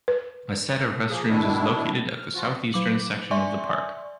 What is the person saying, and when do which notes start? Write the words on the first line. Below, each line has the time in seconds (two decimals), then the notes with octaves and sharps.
A set of restrooms is located at the southeastern section of the park.
0.08 B4
1.09 F3 A#3 G#4
1.29 B2 D#3 D4 E4
2.08 F6
2.35 F3 F4 F#4
2.73 F#3 D6 F#7
3.31 D5 E5 G#5 C6 C#6